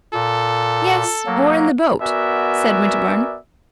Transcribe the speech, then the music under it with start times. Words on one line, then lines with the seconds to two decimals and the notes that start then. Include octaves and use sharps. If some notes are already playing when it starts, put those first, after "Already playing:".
"Yes, or in the boat," said Winterbourne.
0.13 A#2 A4
1.27 F#3 A#3
2.01 B3 F#4 A#4 D5 E5 G#5